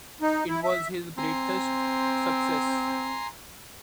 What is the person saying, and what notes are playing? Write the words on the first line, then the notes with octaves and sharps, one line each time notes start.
It was his greatest success.
D#4
E4
E5
C4 G#5 A#5 C6